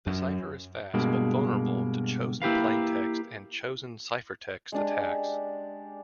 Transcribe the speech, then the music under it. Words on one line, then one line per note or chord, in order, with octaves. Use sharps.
The cipher is fast, but vulnerable to chosen plaintext and chosen ciphertext attacks.
F#2
G2 B2 G#3 A#3
A#3 E4 G4 B4 F5
G#3 D4 G4